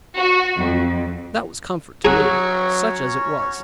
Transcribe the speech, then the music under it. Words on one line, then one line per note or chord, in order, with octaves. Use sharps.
That was comfort to me, such as it was.
F#4
F2
F#3 C#4 F#4 G#4 C#5 A#5 D#6 F#6